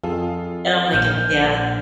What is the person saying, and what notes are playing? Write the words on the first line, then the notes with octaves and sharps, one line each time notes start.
Oh my goodne yeah.
F2 F4 G#4 A4
A#1 F6 G6